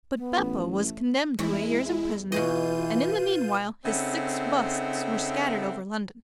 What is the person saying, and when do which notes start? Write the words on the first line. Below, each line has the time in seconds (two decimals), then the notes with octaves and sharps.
But Beppo was condemned to a year's imprisonment, and in the meanwhile his six busts were scattered over London.
0.18 B3
0.37 A1
0.79 A3
1.39 E2 G#3 E4
2.32 B2 E3 F4 G#4 B4 D#5 G6 D#7
3.85 C#3 C4 D#4 A4 E5 F#5